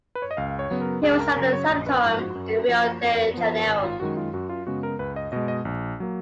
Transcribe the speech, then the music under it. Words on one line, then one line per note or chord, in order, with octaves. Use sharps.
He was at a sanatorium in Rio de Janeiro.
B4
C#5
D#5
C#2 F5
C#5
C#3 F#3 B3
A#4
C#2 G#4
A#4
C#3 F#3 A#4
C#5
A#1 D#5
B4
G#2 F3 A#4
F#4
F#2
F3 A#3
F2
F3 B3
G#1
F4
F#2 D#3 G#3 F#4
F4
F#2 F#4
F4
C#3 G#3 B3 F#4
A#4
C#2 B4
D#5
B2 G#3 D#5
D#5
A#1
F#3 A#3